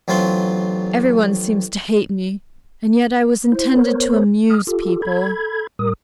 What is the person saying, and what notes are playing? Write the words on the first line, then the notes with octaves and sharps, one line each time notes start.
"Everyone seems to hate me, and yet I was intended to amuse people."
A1 F#3 C4 F4 C6
E4 C5
B3 A#4 C5 C#5
G#3 D#6 F6
F4 G4 A4
A4 B5 G#6
A2 G3 A#4 D#6